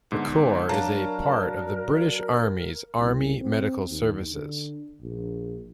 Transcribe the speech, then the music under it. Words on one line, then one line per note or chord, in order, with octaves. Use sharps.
The corps is a part of the British Army's Army Medical Services.
G#2 D3 B3
F#3 D4 A#4 F5 A5 A#5
C2
C4
D#2
D3
A#1